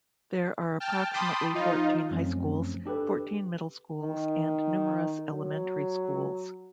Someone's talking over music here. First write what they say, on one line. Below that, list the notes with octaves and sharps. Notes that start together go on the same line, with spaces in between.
There are approximately fourteen high schools, fourteen middle schools, and numerous elementary schools.
G5 A5 F6
G5 A5 B5 C6 D6 D#6
F3 D#4 F4
F#2 F3 A3 C4 C#4
D4 G4 A4 B4
D#3
F#3